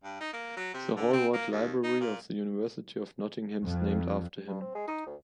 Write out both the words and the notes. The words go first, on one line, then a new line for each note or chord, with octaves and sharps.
The Hallward Library of the University of Nottingham is named after him.
G2
D#4
A#3
F#3
C3
D3
C4
A#3
D#2
D#4
A#2
F2
G2
C4
G#3
D#4
D2